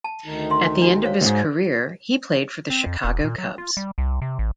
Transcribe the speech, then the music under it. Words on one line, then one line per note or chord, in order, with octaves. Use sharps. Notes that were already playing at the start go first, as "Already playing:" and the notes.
At the end of his career, he played for the Chicago Cubs.
A5
D2 D#3 D#4
D#5 E5 C6
D4 F#4
C5 C#5 F5
D2 G#2
C4
F2
E1
A#2
F#3
F4
G3
C2
C3
A1